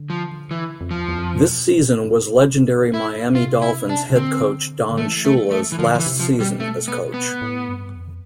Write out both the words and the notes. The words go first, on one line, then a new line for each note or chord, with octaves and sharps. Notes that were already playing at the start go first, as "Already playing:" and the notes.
This season was legendary Miami Dolphins head coach Don Shula's last season as coach.
Already playing: D3
F3
E3
F2
E2 F3
E2
F2
B2
E4
C3 F4
E4
D4
C3
D3 C4
D3
E3 A3
A3
A3
E3
D3 F3
F3
E3
C3
F3
B2
G3
A3
B3
B3
A2
G2
F2